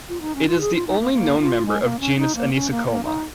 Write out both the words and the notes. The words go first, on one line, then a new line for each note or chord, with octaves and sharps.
It is the only known member of genus Anisocoma.
F4
D#4
C#4
F4
G#4
F4
D#4
A#3
A#3
F4
G#3
A#3
C#4
D#4
A#3
C#4
A#3
A#3
D#4